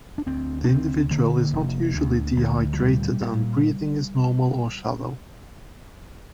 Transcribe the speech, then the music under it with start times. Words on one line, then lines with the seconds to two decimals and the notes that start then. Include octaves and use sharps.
The individual is not usually dehydrated and breathing is normal or shallow.
0.18 D4
0.26 D2 C4
0.64 D4
0.69 D2 C4
1.11 D3 A#3
1.53 F1
1.95 D2
2.37 D2
2.73 F3
2.79 A#2 G3
3.21 A#2